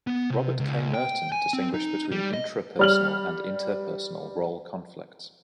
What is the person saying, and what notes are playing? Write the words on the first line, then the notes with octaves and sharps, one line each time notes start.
Robert K. Merton distinguished between intrapersonal and interpersonal role conflicts.
B3
C3
C#2
G5
G#5
C4
D#4
G3
D#5
G3 F6 F#7